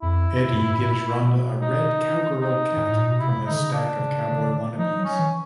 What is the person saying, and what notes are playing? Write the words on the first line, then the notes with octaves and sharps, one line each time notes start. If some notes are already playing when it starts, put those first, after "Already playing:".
Eddie gives Rhonda a red cowgirl cat from his stack of cowboy wannabes.
F2 E4
G2
G#2
A2
A#2
B2
D#4
D#4
G#2
A2
A#2
B2
C3 E4
D3 D#4
C#3
D4
C#3
C#3
D3
F3 D#4
F#3
C#4
E3